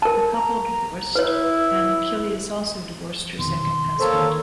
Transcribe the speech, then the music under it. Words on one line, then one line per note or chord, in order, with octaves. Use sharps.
The couple divorced, and Kilius also divorced her second husband.
A#4 A5
A#5
E4 B4 C#5
F2 B2 D#3 C6
A#3 A4 C5 C#5 A5
D#3